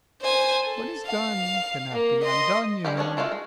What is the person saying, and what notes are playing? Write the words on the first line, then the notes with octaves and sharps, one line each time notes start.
What is done cannot be undone, you know.
C5 G#5
A4
F5
A#3
D#5 C6
G3 G#3 F4 G4
C#4 D4 G#4 C#5 D#5
G#3 A3 D4 F4 F#4
G#3